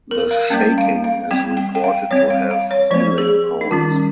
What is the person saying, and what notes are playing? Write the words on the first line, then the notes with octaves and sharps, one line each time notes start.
The shaking is reported to have healing powers.
A#4
F5
G3 A#3 C#4 G5
F5
F5
G3 C4 G5
G5
G5
F5
G3 C4 C#5
F5
F5
C#5
F3 C4 C5
G#4
D#4
D#3 G3 C#4 F4